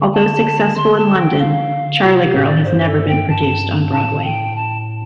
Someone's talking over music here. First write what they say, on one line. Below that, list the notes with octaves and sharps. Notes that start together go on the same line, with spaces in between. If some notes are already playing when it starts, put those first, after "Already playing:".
Although successful in London, "Charlie Girl" has never been produced on Broadway.
Already playing: D3
A5
D3 C6
A5
G5
F5
C3 F4
F4
G4
A2
D5
G2 C5
A4
G5
G2 A5
A2 A5
G5
A5